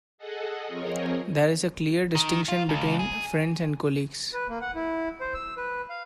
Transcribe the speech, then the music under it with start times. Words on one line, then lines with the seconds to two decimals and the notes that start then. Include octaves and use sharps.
There is a clear distinction between "friends" and "colleagues".
0.18 G#4 A4 D#5 F#5
0.68 F3 C4 G#4 A#4 C#5 D#5
2.15 D#3
2.49 F4
2.69 C#2
2.99 G#4
4.33 B4
4.50 A#3
4.61 F#5
4.75 E4
5.21 C5
5.34 E6
5.57 B4
5.90 F5